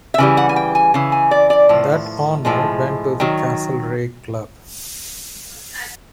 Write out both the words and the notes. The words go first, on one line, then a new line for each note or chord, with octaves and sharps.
That honour went to the Castlereagh Club.
E5
C#3 E3 G3
F#5
G#5
G5
G#5
C#3 E3
G#5
D5
D5
A2 F3
A2 F3 G#3
D#3 F#3